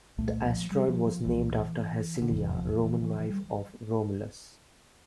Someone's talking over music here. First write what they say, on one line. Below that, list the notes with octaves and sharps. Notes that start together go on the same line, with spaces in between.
The asteroid was named after Hersilia, Roman wife of Romulus.
C2 A#2 A3
F3
G3
F3
F3
C2 A#2 E3
D3
F1 E2 C3 E3
F3
F3
E3
E3
E3
G3